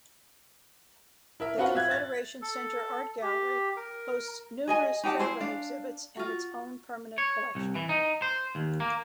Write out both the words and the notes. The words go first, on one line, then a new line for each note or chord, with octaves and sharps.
The Confederation Centre Art Gallery hosts numerous traveling exhibits and its own permanent collection.
E4 A#4 E5
C4 F4 F#4 B4 F#5
E5 F5 F#6 G#6
A6
A4
G4
A#4
G#4 D#5 G#5
D#4 G4 F#5 A5
E4 G#4 C5
D4 F5
F4 F#4
C#5
C2
E3
D#4
C5
D#2
A#3